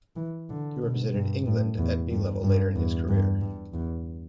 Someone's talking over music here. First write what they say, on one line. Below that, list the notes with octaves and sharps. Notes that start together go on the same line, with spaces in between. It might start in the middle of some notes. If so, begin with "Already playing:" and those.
He represented England at 'B' level later in his career.
E3
D3
B2
G2
A2
E2
G2
G2
E2
G2
G2
E2